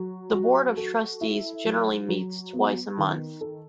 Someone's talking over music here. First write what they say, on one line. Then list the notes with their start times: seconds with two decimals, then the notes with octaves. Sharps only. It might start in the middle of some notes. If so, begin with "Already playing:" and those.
The board of trustees generally meets twice a month.
Already playing: F#3 F#4
0.32 F#4
0.77 A4
1.21 E4
1.65 F#3
2.09 F#3
2.53 B3
2.98 D#3
3.41 A4